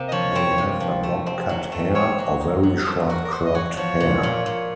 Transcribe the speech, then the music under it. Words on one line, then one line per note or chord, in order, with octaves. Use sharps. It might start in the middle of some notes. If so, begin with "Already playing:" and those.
They have a Bob cut hair or very short cropped hair.
Already playing: C3 A#3
D#5
F3 C#5
C4
C3
F3
A3
C4
F#3
A3
C4 C#5
F#3
D#4
F#3
A3 C5
F#4 A#4
A#4
F#4 C5
D#5
F#4 C#5
F3 C#5
A#2
A#2
A#2